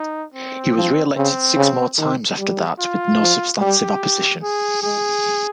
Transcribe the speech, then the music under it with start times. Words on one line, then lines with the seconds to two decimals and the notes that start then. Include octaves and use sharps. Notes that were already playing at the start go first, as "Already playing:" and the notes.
He was reelected six more times after that with no substantive opposition.
Already playing: D#4
0.34 C4
0.75 F3
1.16 C#3 C4
1.56 C#3
1.98 D#3
2.38 G3
2.79 F4
3.19 F3
3.61 G3 G4
4.42 G#4
4.83 G#3 G#4